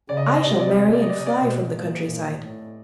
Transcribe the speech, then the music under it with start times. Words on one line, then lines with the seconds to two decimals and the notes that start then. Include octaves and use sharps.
I shall marry and fly from the country-side.
0.09 C#3 D5
0.17 D#5
0.26 D5
0.34 D#5
0.42 C3 D5
0.51 D#5
0.59 D5
0.68 D#5
0.76 D5
0.84 D#5
0.93 D5
1.01 D#5
1.09 D5
1.19 D#5
1.26 D5
1.41 B2
1.74 A#2
2.07 A#2
2.40 A2